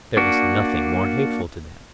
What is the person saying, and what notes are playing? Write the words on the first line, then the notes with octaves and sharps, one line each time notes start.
There is nothing more hateful to them.
A#3 D4 F#4